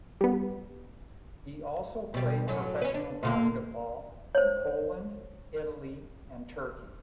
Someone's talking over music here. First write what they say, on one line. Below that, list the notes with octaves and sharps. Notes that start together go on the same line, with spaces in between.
He also played professional basketball in Poland, Italy and Turkey.
G3 B3
B2 G3
F#2 A2 F#3
C#4 B4
D4
A#2 D3 A#3
C5 C#5